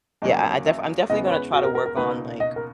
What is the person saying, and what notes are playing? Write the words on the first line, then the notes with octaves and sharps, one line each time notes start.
yeah, I I defi I'm definitely gonna try to work on, like,
E2 C#3 F#3 A#3 D#5
E5
E2 C#3 E3 G#3 B3 D#5
C#5
B4
F#4
A#4
A#4
A#4
C#2 B2 A#3 D#4 B4
D#5
A#4